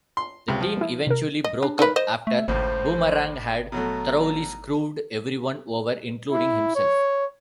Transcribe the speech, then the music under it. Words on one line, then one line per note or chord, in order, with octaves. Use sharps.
The team eventually broke up after Boomerang had thoroughly screwed everyone over, including himself.
C6
C#2 C3
F3
A#3 E4
C3 A#4
D#5
D4
D#4 A#4 B4
C5 D#5
A3 E5
G#1 C#2 A2 C5
B2 F#3 A3 A#5
E4
C#5